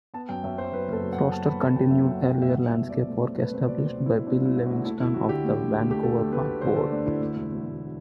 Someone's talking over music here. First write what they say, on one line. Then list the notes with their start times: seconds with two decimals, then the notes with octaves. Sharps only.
Forester continued earlier landscape work established by Bill Livingston of the Vancouver Park Board.
0.14 B3 A5
0.29 F#2 G5
0.44 F#2 E5
0.58 F#3 C5
0.73 F#3 B4
0.88 F#1 A4
1.02 F#3
1.13 F#5
1.17 F#1
1.31 F#1 A5
1.47 B3 B5
1.61 F#2 A5
1.76 F#1 G5
1.91 F#3 E5
2.06 F#3 F#5
2.21 F#3
2.30 G5
2.35 F#1
2.42 E5
2.49 C2 F#5
2.64 B2
2.69 E5
2.79 B2
2.89 C4 D5
3.08 A3
3.23 C4
3.39 A3 B4
3.53 C4 C5
3.67 B2 D5
3.82 A3 C5
3.97 B2
4.06 E4
4.11 B2
4.27 C4 D4
4.40 C2 E4
4.56 C2
4.66 F#4
4.70 A3
4.85 A3 E4
5.00 D2 E4
5.14 D2 F#4
5.29 D3 G4
5.44 A3
5.59 D3
5.73 D2
5.89 A3 G4
6.03 D2 A4
6.18 D2
6.32 A3 B4
6.47 D2
6.61 D3 C5
6.76 D3 A4
6.91 D2 D4
7.06 D3 E4
7.21 D2
7.35 E1
7.51 E1
7.65 D2